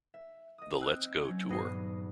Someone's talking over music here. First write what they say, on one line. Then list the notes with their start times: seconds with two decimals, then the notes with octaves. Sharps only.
The Let's Go Tour.
0.14 E5
0.58 D#5 D#6
0.81 C4 E6 F#6 G6
1.24 F#3 C#4
1.49 D#1 G2 B3 D#6 A#6 C7